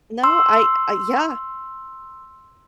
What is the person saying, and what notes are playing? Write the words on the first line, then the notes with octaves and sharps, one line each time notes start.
No, I Uh, yeah.
C6 E6